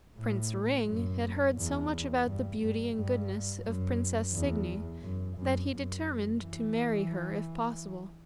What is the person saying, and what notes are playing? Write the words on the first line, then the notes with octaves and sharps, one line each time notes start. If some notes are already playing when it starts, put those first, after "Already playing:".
Prince Ring had heard so much about the beauty and goodness of Princess Signy that he determined to marry her if possible.
A2
F#2
E2
G2
G2
G2
F#2
E2
F#2
F#2
F#2
E3